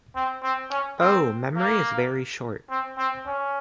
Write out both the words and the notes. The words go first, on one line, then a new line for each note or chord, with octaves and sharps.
Oh, memory is very short!
C4
C4
C#4
C4
A#3
C4
C4
C#4